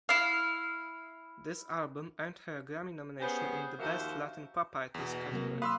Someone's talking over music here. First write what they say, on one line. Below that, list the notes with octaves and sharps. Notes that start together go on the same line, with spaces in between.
This album earned her a Grammy nomination in the Best Latin Pop artist category.
E4 F5
B3 C#4 G4 G#4 C5
D#2 F3 A#3 F#4 C5 E5
E2 B2
C3 F#3 A#3
F5 B5 C6 D#6 E6 F#6